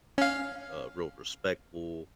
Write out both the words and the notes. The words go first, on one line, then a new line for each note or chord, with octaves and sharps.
uh, real respectful,
C#4 F5